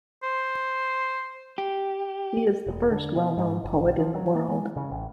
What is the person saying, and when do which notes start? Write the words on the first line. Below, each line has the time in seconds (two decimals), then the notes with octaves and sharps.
He is the first well known poet in the world.
0.23 C5
1.58 G4
2.67 E1
2.91 D3
3.16 B2
3.37 G#2
3.64 F#1
3.85 A#1
3.99 F3
4.15 F#3
4.35 A#3
4.49 G#3
4.76 C#3
4.91 A1